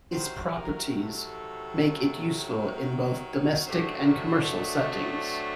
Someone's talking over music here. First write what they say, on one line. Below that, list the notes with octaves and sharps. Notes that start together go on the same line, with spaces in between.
Its properties make it useful in both domestic and commercial settings.
C3 D#3 F#3 C5
A#4
A4
C3 F#3 A3 D4 G4
A#4
C5
D#5